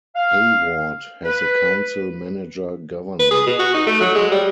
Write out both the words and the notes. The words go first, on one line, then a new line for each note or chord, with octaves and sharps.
Hayward has a council-manager government.
F5
B4
B4
G#4
B2
F#4
D#4
A3
F#3
G#3
G3